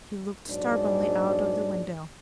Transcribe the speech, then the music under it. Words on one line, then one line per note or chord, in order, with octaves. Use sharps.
He looked stubbornly out of the window.
A#1 G#2 F#3 D4